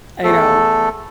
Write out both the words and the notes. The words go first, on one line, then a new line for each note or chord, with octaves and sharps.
I know.
E2 A3 A4